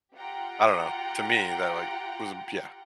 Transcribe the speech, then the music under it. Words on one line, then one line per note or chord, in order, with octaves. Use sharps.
I don't know, to me, that, like, was b yeah.
F4 G4 F#5 G5 A#5